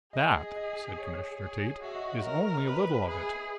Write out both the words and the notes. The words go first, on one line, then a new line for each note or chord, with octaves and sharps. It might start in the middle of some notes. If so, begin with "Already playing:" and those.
"That," said Commissioner Tate, "is only a little of it."
G#4 D#5
D#5
C#5
G#4
F#4 E5
D#5
C#5
D#5
A#4
B4
G#4 E5